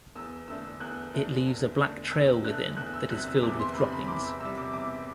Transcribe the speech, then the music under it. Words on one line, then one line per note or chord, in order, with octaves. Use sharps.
It leaves a black trail within that is filled with droppings.
E2 E6
D3 A3 D4 E6
E2 F#6
D3 A3 D4
E2
D3 A3 D4
E2 E6
D3 A3 D4 F#6
E2 F#6
E6
C3 G3 F#6
E6
E2 D6
C6
C3 G3 B5
B5
E2 D6
E6
C3 G3 E6
D6
E2 D6